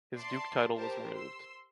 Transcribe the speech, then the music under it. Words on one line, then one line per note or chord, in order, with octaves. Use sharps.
His duke title was removed.
D5 E5 A5 C6 C7
G4 A#4 C5 A5
C6 E6